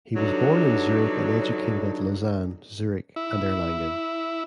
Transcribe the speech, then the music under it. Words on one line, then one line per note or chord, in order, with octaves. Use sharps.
He was born in Zurich and educated at Lausanne, Zurich and Erlangen.
G2 D3 F#3 D4 D#4
E4